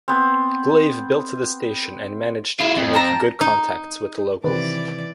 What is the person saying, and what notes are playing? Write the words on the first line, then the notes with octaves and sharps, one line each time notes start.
Glave built the station and managed to make good contacts with the locals.
B3 C4
E4 F4 G#4
F2
G5 A5 A#5
D#4
C3 D#3 E3 B4 D5